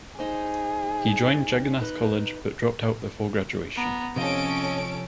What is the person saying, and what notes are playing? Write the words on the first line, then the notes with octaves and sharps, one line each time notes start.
He joined Jagannath College but dropped out before graduation.
D#4 G#4 C5
D#4 B4
B3 A#5
C3 F3 C#4 F4 A4 D#5 D7